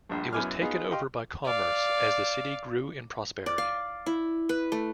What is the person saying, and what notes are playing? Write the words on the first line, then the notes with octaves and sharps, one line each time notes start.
It was taken over by commerce as the city grew in prosperity.
A#1 G2
F#2 B3 E4 G#5 D6 F6
B3 D#4 F4 G#4
G4 D#5 F5 G5 C6
D5 F5
D5
F5
E4
B4
A3